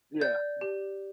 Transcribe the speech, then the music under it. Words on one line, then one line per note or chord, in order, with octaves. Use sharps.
Yeah, h
D5 G6
G4